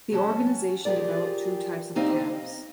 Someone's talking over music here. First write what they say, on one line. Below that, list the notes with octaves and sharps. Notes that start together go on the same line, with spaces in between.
The organization developed two types of camps.
F#3 C#4 A5
F4 G4 G#4 A#4 D5
G3 C4 D#4 C5 F5
D#5